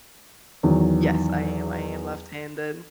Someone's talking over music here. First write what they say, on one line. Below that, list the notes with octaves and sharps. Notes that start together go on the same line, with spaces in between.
Yes, I am, I am left-handed,
E2 D#3 E3 F#3